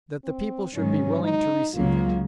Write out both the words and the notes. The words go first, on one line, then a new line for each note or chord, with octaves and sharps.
That the people should be willing to receive it.
C4
G#2 D#3 F#3 C#4
D#4
C#2 C#3 F#3 A#3 F4